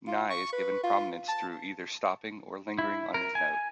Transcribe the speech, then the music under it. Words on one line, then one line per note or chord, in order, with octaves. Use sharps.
Ni is given prominence through either stopping or lingering on this note.
F4
C#6
B4
F4
A5
E4
A#4
G#5